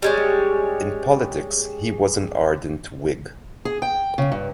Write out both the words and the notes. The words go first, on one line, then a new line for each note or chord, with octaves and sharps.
In politics he was an ardent Whig.
G3 G#3 C#4
G#4
G5
C#3
G2